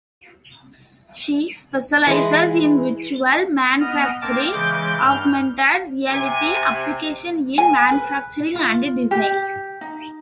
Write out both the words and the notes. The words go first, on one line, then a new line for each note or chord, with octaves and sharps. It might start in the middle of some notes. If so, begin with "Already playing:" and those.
She specializes in virtual manufacturing, augmented reality application in manufacturing and design.
E3 G#3 B4
B3 D#5 F6
A#3 C4 A#4 A5 D6
C#3 E3 G#3 D6 G6
G2 F6 G6
C3 G#5
G#5
B4
F4
G4
D#4